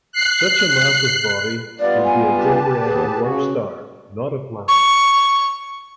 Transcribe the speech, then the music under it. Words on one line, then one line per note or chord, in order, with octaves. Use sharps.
Such a massive body would be a dim red dwarf star, not a planet.
F#6 C7
G3 B3 F4 D5
G#5
G4 B4 A5
D#2 B3 G#4
C#3 F#4
C#6